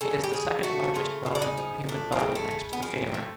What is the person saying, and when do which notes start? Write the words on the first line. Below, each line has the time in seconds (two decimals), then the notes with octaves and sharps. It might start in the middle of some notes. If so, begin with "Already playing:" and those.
It is the second largest bone in the human body next to the femur.
0.01 C#3 A4
0.24 G4
0.33 F3 G#4
0.63 A3 F#4
0.95 C#3 F4
1.26 C#3
1.35 D4
1.42 D#4
1.58 F3
1.89 A3 D4
2.12 C4
2.20 C#3
2.35 A3
2.51 C#3
2.73 B3
2.82 F3 C4
3.14 A3